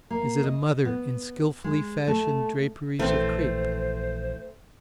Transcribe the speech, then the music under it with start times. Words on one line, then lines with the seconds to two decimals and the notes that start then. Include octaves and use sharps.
Is it a mother in skilfully fashioned draperies of crape?
0.10 A#3
0.43 D#5
0.85 B3
1.64 G#3
2.07 A3
2.99 A#1 E3 A3 C4 C5